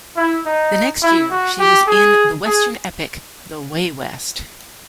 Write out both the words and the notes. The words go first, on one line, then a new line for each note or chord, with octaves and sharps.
The next year she was in the Western epic "The Way West".
E4
D#4
E4
F#4
G4
G#4
G#4